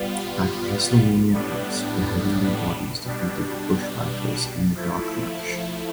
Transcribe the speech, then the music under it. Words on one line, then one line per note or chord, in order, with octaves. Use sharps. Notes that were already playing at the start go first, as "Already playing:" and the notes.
At WrestleMania X the Heavenly Bodies defeated the Bushwhackers in a dark match.
Already playing: G3 B3 F4
A2 G3 B3 D4
B2 G3 D4
F3 A3 E4